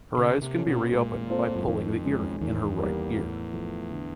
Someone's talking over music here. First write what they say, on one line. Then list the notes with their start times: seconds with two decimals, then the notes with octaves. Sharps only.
Her eyes can be reopened by pulling the earring in her right ear.
0.17 C#3 A#3
0.42 C3
0.54 C#4 F4 A4
0.67 B2
0.91 A#2 G#3
1.29 C4 F4 A4 C5
1.56 F#2
1.67 F2 D#3
2.04 G#3 C#4
2.41 E2 D#3
2.79 G3 A#3 D#4 G4
3.16 A2
3.53 F3 A3
3.91 D3